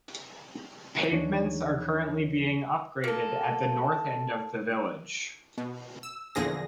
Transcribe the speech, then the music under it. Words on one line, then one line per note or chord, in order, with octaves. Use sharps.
Pavements are currently being upgraded at the north end of the village.
D#2 E3 F3 D4 D#4 C#5
A#3 A4
B2
E6
E2 A#2 D3 F3 G#4 A#6